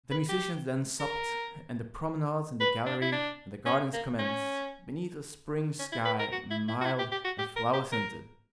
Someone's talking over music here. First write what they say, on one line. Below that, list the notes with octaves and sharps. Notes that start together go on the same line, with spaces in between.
The musicians then supped, and the promenades in the gallery and the gardens commenced, beneath a spring sky, mild and flower-scented.
B4
G4
A#4
B4
D4
E4
D4
C#4
A#3
C#4
C#4
E4
B4
A#4
F#4
E4
E4
F#4
E4
G4
G4
F#4
G4
A#4
G4
A#4